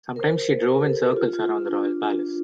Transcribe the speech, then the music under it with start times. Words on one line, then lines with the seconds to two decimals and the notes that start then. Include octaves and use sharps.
Sometimes she drove in circles around the royal palace.
0.16 A#4
0.21 C5
0.69 A#4
0.77 G4
0.85 A4
1.01 G4
1.16 F4
1.33 F4
1.65 D4